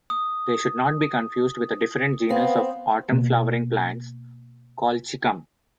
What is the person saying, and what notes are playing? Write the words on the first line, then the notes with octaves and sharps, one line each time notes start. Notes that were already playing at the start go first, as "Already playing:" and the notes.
They should not be confused with a different genus of autumn-flowering plants, "Colchicum".
D#6
B3 C4 F5
B2 A#3